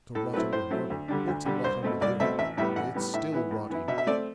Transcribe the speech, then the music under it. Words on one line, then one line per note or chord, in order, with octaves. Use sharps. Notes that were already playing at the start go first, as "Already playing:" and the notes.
To rot under marble or to rot under the earth--it's still rotting.
A2 A4
F#3 A3 C4 E4 B4
A2 C5
F#3 A3 C4 E4
D2
D3 G3 D4
D2
D3 G3 D4
C2 C5
B2 A3 C4
C2 D5
B2 A3 C4 E5
A1 E5
A2 G3 B3 E5
A1 F#5
A2 G3 B3
A2 E5
E3 B3 E4
A2
E3 B3 E4
B2 E5
E5
A3 C4 D5